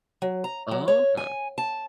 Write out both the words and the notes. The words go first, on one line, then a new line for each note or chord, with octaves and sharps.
Oh, okay.
F#3
A#5
F#3
C#5
G#5
A5